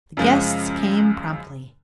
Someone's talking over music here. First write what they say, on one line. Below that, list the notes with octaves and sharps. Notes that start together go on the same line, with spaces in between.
The guests came promptly.
F#2 C#3 F3 G#3